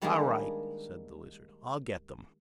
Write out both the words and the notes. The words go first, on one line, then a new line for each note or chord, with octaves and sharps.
"All right," said the Lizard; "I'll get them."
D#3 G3 G#3 A#3 D4 G#4